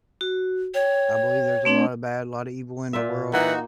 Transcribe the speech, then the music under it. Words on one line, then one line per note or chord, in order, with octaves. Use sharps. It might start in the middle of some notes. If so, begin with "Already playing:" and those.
I believe there's a lotta bad, a lotta evil in the world
F#4
C#5 G5
A3 C4 D4
A#2 F4 E5
E3 A#3 D#4 F#4 F#5 G5